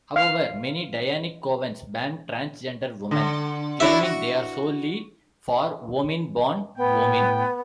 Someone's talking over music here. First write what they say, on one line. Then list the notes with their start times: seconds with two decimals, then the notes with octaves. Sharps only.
However, many Dianic covens ban transgender women, claiming they are solely for womyn-born-womyn.
0.16 F5
3.11 D3
3.80 D4 E4 F#4 E5
4.03 F#4
6.77 A2 B3 G5